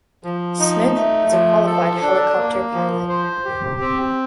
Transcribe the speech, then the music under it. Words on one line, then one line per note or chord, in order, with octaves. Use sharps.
Smith was a qualified helicopter pilot.
F3
D#4
A3
F3
A4
D4
A#3
F3
C5
G4
C4